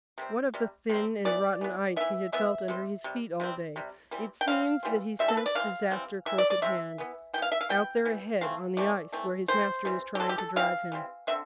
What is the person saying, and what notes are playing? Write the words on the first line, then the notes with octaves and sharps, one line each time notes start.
What of the thin and rotten ice he had felt under his feet all day, it seemed that he sensed disaster close at hand, out there ahead on the ice where his master was trying to drive him.
C3 G3 C4
C3 G3
C3 G3 C4
E3 B3 D5
E3 B3
E3 B3 E5
E3 B3 E5
C3 G3 C4
C3 G3
C3 G3 C4
C3 G3
E3 G3 C4
G5
E3 G3 C4 F5
E3 G3 C4
E3 G3 C4 E5
A4
B4
D5
C3 E3 C4 F5
C3 E3 G3 C4
C3 E3 E5
D5
D5
C3 E3 G3 C4 E5
E3 B3
E3 B3 F5 G5
E5
F5
E3 B3 G5
E3 B3
E3 A3 C4 F5
E3 A3 C4 D5
E3 A3 C4
E3 A3 C4 C5
E3 G3 C4
G4
E3 G3 C4 A4
G4
A4
E3 G3 C4 F5
E3 G3 C4
D3 F3 C4 E5